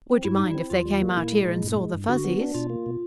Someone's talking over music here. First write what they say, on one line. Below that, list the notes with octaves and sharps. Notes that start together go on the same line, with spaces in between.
"Would you mind if they came out here and saw the Fuzzies?"
C4
G2 E4
G3 D#4
C4 E4
E2 F4
G3
A#3
A#2 E4
G#3
A#2
G2
G#3
G2
D3 F#4
B3
D4
B2 F4
A#3
B2